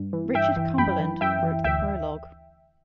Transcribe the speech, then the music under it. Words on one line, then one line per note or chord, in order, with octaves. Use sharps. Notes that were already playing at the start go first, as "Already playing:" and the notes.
Richard Cumberland wrote the prologue.
Already playing: G2
E3
G2 E5 G5
E3
F#2 G5 B5
E3
F#2 E5 G5
E3
D2 E5 G5